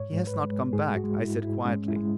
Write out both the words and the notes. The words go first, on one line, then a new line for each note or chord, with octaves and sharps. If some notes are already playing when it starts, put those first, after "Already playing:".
"He has not come back," I said quietly.
Already playing: G#2 C#5
G#2
B4
G#3
G#2 G#4
F#4
G#3
E4
G#2
E4
G#3 C#4
E4
G#3